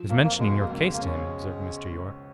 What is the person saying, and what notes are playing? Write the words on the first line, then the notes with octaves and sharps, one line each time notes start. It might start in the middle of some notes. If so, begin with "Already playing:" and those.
"I was mentioning your case to him," observed Mr. Yorke.
Already playing: F3
F2 A#3
A#3
B2 G#3
A#3
C#2
G#3
A#3
C#4
G#3